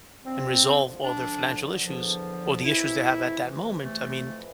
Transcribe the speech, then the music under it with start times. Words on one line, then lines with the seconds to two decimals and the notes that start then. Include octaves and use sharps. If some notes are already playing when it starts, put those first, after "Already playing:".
and resolve all their financial issues or the issues they have at that moment, I mean,
0.25 F2 D3 F3 C4
1.04 D2 D3 F3 D4
1.84 E2 D3 F3
2.64 F2 C3 E3 E4
3.45 E2 C3 E3
3.85 A3
4.26 F2 E3